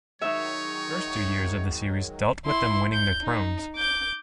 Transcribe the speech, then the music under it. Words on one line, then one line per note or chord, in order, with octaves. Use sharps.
The first two years of the series dealt with them winning their thrones.
D#3 F#3 G#3 D#4 C#5 E5 C#6
E4 C6
G6
D#4
D6 G6